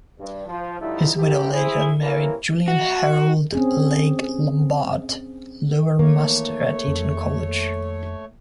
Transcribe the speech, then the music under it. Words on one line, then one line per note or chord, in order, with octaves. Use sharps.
His widow later married Julian Harold Legge Lambart, Lower Master at Eton College.
G2
F3
D3 F3 G3 A3 D#4 E4
B1 G#2 E3 A3 G4
E4 G#4 C5
C3 E3 A#3 C#4 E4 A#4
F#4
C4 C#4 G#4
D#3 E3 A3 A#3 C#5
F2 D#3